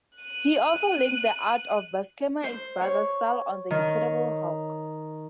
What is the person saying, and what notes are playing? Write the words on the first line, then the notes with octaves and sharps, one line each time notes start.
He also inked the art of Buscema's brother Sal on "The Incredible Hulk".
F#6 D#7
C5
C#5
D#3